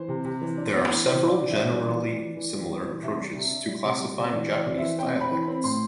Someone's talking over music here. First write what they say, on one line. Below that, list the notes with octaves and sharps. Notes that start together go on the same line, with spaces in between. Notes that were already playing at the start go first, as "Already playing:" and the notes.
There are several generally similar approaches to classifying Japanese dialects.
Already playing: E3 C5
C3
C3
E3
D4
B3
E3
E3 C5
D4 D5
E3
E5
D4
G3 D5
E3
E3
E3
E3
E3
G3
E3
C3 E5
G3
C3
D4
G3
C3
G3
C3
E3 D5
E3
D5
C4
E3 E5
C4 G5
C4 B5
E3
B5
C4
A2 C6